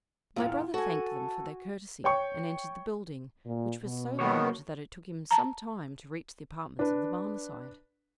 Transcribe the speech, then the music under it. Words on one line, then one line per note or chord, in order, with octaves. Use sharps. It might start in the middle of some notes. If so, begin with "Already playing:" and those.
My brother thanked them for their courtesy and entered the building, which was so large that it took him some time to reach the apartments of the Barmecide.
E2 G2 A#2 F4
F#4 A4 G#5
C#5 G5 C#6
A#2
B2
D#3 F#3 A#3 B3 C#5
A5 A#5
D4 B4